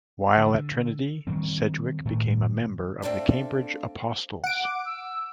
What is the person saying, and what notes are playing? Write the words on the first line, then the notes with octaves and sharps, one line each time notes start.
While at Trinity, Sidgwick became a member of the Cambridge Apostles.
D3
D#3 F#3 G3 C4
A2 D#3 A3
A3 C4 D4 A4 F5
F#5 D7
D6
E6